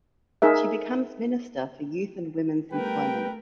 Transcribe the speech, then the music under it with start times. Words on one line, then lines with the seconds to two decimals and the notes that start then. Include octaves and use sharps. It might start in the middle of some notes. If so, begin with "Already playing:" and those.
She becomes Minister for Youth and Women's Employment.
0.42 D#4 G#4 A#4 E5
2.72 G3 A3 B3 A#4 B4 G5